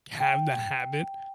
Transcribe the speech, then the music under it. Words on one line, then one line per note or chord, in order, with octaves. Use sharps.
have the habit
G5